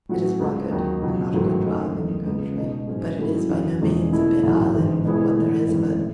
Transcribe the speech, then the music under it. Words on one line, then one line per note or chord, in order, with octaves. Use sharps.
It is rugged and not a good driving country, but it is by no means a bad island for what there is of it.
A2 F#3 C#4 F#4
C#2 C#3 G#3
D#2 D#3 F#3
C#2 B2 F#3
A1 G#2 D#3 F#3 A3
F#2 D#3 A3 D#4
F#1 E2 D#3 A3
C#2 C#3 G#3 B3
B2 G#3 D#4
G#2 F#3 C#4
G#2 F#3 A3 C#4 E4
F#1 E2 C#3 F#3
E1 E2 C#3 G#3 C#4
B2 A3 E4 A4
A1 G#2 F#3 A3 E4
A1 G#2 E3
B2 G#3 B3 E4 G#4
A2 E3 A3 E4
G#1 F#2 E3 G#3 C#4
A2